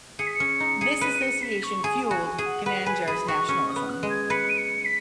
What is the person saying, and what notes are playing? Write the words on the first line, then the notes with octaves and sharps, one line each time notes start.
This association fueled Ginandjar's nationalism.
G#4 C#7
B6
C#7
C#4
D#4
G#4
B4 D#7
C#7
B6
C#6
G#4 G#5
G#5
F#4
G#5
G#4
F#5
B4 F#5
B4 G#5
G#4 B5
F#4 C#6
C#4 C#6
D#6
B3
F#6
G#3
G#6
B4 C#7
D#7
C#7
B6